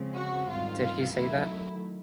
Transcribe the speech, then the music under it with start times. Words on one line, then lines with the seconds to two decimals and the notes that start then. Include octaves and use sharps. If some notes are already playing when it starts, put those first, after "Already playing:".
Did he say that?
Already playing: C#3 F3 G#3 C4
0.17 F#4
0.49 G#2 D#3 G3 C4 F4
0.82 F4
1.14 F#2 D#3 F#3 A3 E4